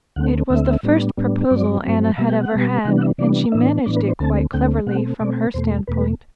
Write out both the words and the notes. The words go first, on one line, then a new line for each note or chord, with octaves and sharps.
It was the first proposal Anna had ever had, and she managed it quite cleverly, from her standpoint.
D2 D3 A3 C4 F#5
D2 D3 A3 C4 E5
A2 G3 B3 D4
A2 G3 B3 D4
G2 F#3 C4 D5
G2 F#3 C4
B2 G3 B3 E5
G5
F#5
B2 G3 B3
C3 E3 G3 B3 D4 F#5
F#5
E5
C3 E3 G3 B3 D4 D5
A2 E3 B3 D4 E5
A2 E3 B3 D4 D5
B4
C5
D2 D3 A3 C4 A5
D2 D3 A3 C4 G5
B2 A3 C4 F#5
B2 A3 C4 D5
E2 B2 A3 C5
E2 B2 A3 B4